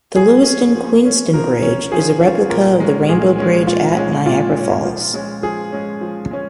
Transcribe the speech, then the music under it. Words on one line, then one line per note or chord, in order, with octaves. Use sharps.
The Lewiston-Queenston Bridge is a replica of the Rainbow Bridge at Niagara Falls.
F3 G#4
C#4
F3
C#4
F3 A#4
C#4
F3 G#4
C#4 F4
A#2 A#4
G#3 C#4
A#2 G#4
G#3 C#4
A#2 F4
G#3 C#4
A#2 F4
G#3 C#4
F3
G#3 C#4
F3 G#4
G#3 C#4
F3
G#3 C#4